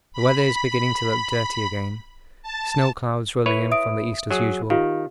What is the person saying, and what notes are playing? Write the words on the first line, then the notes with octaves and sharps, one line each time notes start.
The weather is beginning to look dirty again, snow clouds rolling in from the east as usual.
B5
A5
E4 B4 C#5
E5 D#6 D7
F#3 G#4
D#3 F4 G4 F5